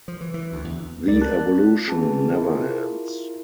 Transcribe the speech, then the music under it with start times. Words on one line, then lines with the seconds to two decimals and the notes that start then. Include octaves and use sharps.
The evolution never ends.
0.08 F3
0.21 E3
0.34 E3
0.52 D2
0.64 E2
1.08 C#2 G3 A#4 D5 A6
1.22 A5 F#6
1.55 F4
1.88 C4 G#4 B4 A5
2.35 E4 F4 A#4